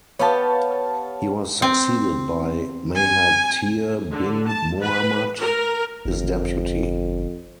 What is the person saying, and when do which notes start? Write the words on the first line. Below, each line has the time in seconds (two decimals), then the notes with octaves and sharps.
He was succeeded by Mahathir bin Mohamad, his deputy.
0.19 B3 G4 C#5 F5 A5
1.62 C4
2.95 G#5
4.12 D3
4.48 A5
4.80 B4
5.40 A#4
6.05 G1 F2